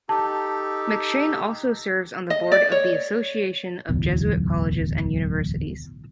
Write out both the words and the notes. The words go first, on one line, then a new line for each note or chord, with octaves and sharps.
McShane also serves on the board of the Association of Jesuit Colleges and Universities.
D#4 G4 A4 A5
D#5
D5
C#5
D1 B1 E2